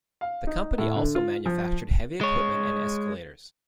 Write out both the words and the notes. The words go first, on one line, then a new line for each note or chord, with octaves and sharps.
The company also manufactured heavy equipment and escalators.
F5
D#4
A2
D3
F4
F3
G#3 C#5